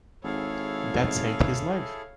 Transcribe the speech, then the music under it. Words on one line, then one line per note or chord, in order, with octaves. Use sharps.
That saved his life.
G#1 E4 G#4 A4 C#5 F5